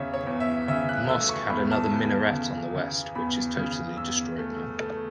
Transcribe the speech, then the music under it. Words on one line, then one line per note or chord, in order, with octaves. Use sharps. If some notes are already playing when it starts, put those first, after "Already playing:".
The mosque had another minaret on the west, which is totally destroyed now.
Already playing: E2 C#3 C#5 E5
C#5
E2
E5
C#3 E5
F#6
A3 E6
C#6
E2 B5
A5
E2
C#3
C#3
E2 B5
C#3
E2 E6
A3
A3